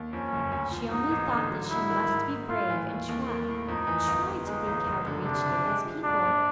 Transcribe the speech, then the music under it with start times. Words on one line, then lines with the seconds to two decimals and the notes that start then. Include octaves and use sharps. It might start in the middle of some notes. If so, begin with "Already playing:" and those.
She only thought that she must be brave and try--try to think how to reach David's people.
Already playing: D#2
0.13 F2 C#4
0.33 F#1
0.51 D2
0.71 F3
0.91 G#2 D#4
1.11 A1
1.31 D3
1.51 F#3
1.70 G#2 E4
1.90 D#3
2.10 G#2
2.29 G#2
2.49 A2 F4
2.70 E3
2.88 D#2
3.09 D#2
3.29 A#3
3.49 A2
3.68 F2 D#4
3.87 E3
4.07 G1
4.27 G1
4.47 G#3 D#4
4.66 A1
4.86 F#1
5.06 D3
5.26 C3 D4
5.46 C3
5.66 G#3
5.85 F3
6.04 G#2 D4
6.25 A#1